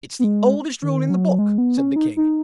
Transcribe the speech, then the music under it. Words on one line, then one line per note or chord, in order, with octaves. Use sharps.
'It's the oldest rule in the book,' said the King.
B3
G#3
D#3
F#3
G#3
B3
C#4
D#4
D#4